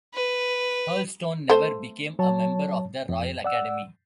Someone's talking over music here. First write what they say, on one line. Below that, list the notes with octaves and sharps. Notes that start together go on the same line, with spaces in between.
Hurlstone never became a member of the Royal Academy.
B4
A3 C5
F#3 C#5 A5
F2
D5 F#5 E6